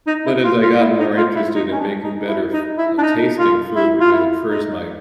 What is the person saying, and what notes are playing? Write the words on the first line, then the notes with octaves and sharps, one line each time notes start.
But as I got more interested in making better f uh, tasting food, because at first my
D#4
E4
F4
F4
E4
D#4
F4
E4
D#4
C#4
D4
D#4
E4
D#4
E4
D4
D#4
F4
E4
F4
E4
D#4